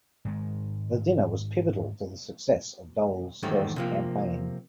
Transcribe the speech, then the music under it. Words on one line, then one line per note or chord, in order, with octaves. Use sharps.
The dinner was pivotal to the success of Dole's first campaign.
G#2 D#3 G#3
E2 G#2 D#3 G3 A3 C4
C3 F3 A#3